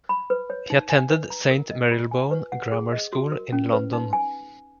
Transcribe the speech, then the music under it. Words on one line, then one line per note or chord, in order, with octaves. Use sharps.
He attended Saint Marylebone Grammar School in London.
B5
B4
C#5
D#4
G#5
B4
A#5
A#4
D#5
F4
G#5
B4
F#5
G#4
D#5
F#4
A#4
C#4
B4
D#4
G#5